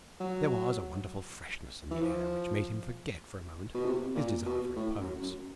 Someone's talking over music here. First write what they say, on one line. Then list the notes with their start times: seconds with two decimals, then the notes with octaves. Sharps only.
There was a wonderful freshness in the air which made him forget for a moment his desire for repose.
0.20 F#3
1.91 E3
2.02 F3
3.75 B2
3.85 C3
4.15 A#2
4.46 B2
4.76 A2
5.00 F#2
5.22 F#2